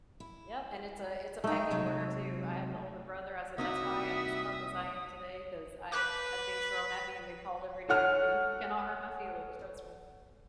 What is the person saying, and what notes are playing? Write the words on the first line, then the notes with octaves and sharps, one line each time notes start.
Yep, and it's a it's a pecking order too, I had the older brother, I said, "That's why I'm as tough as I am today 'cause I've had things thrown at me and been called every name in th You cannot hurt my feelings, trust me."
E4
G#3 A3 D#4 G5
C3 F#3 G#3
C2 A#3 D#4 F#4 E5 D#6
B4 D6 F#6 G6
A4 C#5 F#5 F6